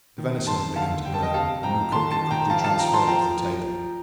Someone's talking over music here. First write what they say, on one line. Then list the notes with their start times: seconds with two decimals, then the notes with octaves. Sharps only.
The venison had begun to burn, and Mukoki quickly transferred it to the table.
0.18 D#3
0.47 D#3 A5 C6
0.76 D3 F5 A5
1.05 G2 G5
1.14 A5
1.22 D#5 G5
1.34 C3 F5 A5
1.63 F2 G5 A#5
1.92 D#3 A5 C6
2.11 A5 C6
2.22 D#3
2.31 G5 A#5
2.50 F3 F5 A5
2.64 F5 A5
2.79 F3 G5 A#5
2.93 A5 C6
3.07 F3 G5 A#5
3.37 F3
3.66 F3